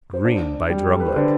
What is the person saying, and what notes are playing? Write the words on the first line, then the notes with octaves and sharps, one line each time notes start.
Green by Drumleck.
C5
D4 D5
G3
A4
B4
C5
D3 D5